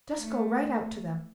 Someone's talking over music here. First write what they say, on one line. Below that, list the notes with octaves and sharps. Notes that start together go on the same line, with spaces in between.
Just go right out to them.
A3